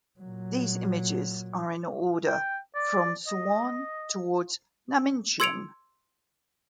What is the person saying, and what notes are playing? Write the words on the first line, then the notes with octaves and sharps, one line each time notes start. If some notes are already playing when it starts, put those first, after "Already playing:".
These images are in order from Suwon towards Namincheon.
A#2 F#3
G5
D5
D#5
C6 E6 G#6 C#7 D7 F7